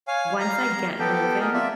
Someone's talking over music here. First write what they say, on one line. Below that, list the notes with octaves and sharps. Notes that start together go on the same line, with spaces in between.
once I get moving,
C#5 F5 G#5
F5 A#5
B3 G4 A4
G#4 A#4
F4 D5 E5